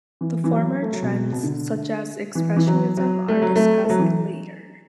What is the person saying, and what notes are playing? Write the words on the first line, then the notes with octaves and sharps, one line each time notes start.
The former trends, such as Expressionism are discussed later.
E3
E3
F#3
A3
F#3
B2
B2
D3
E3
E3
F#3
F#3
A3
F#3
A3
A3
F#3
E3